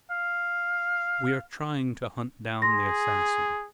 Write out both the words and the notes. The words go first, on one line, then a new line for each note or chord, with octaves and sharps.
We are trying to hunt down the assassin.
F5
G#4 C6 A#6